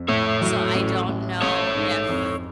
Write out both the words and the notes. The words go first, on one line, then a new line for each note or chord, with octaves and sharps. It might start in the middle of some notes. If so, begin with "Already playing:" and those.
So, I don't know if
Already playing: F2
A2 A4 C#5
F#3
A1
A1
A1 A4 C#5
G#2
F2